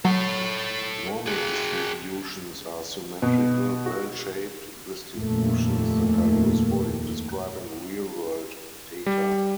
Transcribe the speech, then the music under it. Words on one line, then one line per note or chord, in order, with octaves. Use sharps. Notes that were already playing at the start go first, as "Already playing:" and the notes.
Normal distributions are symmetrical, bell-shaped distributions that are useful in describing real-world data.
F#3 A4 C#5
F#4 G#4
B2
F#4
F1 D#2 A#2 A3 A#3
G3